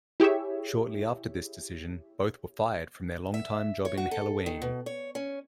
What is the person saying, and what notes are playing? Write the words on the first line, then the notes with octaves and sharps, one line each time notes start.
Shortly after this decision, both were fired from their long-time job in Helloween.
E4 G4 G#4 C#5 E5
E5
C#5
F#4
A4
D#3
B2
C#5
C#4